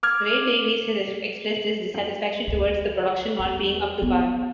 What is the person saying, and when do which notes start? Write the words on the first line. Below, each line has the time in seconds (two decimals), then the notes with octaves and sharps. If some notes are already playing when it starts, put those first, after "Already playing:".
Ray Davies has expressed his dissatisfaction towards the production not being up to par.
0.03 D6 F6 G#6
2.47 D2
3.39 E2
4.02 B3